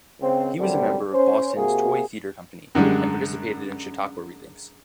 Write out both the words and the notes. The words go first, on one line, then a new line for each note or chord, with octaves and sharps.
He was a member of Boston's Toy Theater company and participated in Chautauqua readings.
C#2 C4
C2 F#2 D3 G3 C4
C#4 C5
C3 A#3 F#4 G#4
F#2 D3 G3 G#3